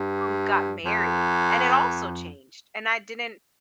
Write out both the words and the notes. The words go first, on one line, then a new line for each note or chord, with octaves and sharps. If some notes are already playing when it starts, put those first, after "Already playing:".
who got married, and it also changed, and I didn't
Already playing: G2
F2